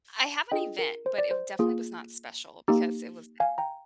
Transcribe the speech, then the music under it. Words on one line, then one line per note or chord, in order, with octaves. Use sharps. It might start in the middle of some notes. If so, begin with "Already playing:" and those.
I have an event, but it definitely was not special because it was
D4 F4 G#4 D#5 G5
A#4
C5
D5
C5
A#3 F4 G#4
A#3 D#4 G4
F5 G#5
G5 A#5